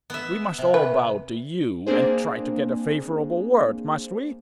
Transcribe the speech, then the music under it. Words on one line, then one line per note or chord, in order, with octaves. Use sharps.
We must all bow to you, and try to get a favorable word, must we?
B3 E5
C3
B4
A#3 C4 D4 G#4 C5